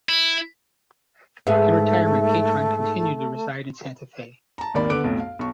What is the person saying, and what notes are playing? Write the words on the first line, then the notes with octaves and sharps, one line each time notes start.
In retirement Catron continued to reside in Santa Fe.
E4
G#2 A3 B3 G#4 E5
A5 A#5
G#1 D#2 D#3 A#3 D5 B5
D3 B3 B4 D6 D7
B1 F2 A2
F5
B1 C#6